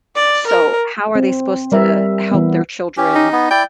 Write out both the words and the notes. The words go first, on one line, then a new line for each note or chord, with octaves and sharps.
so, how are they supposed to help their children
D5
A#4
C4
G3 A#4 E5
E3 B3
C#4 G4
D#4
B3
E4 D5 G5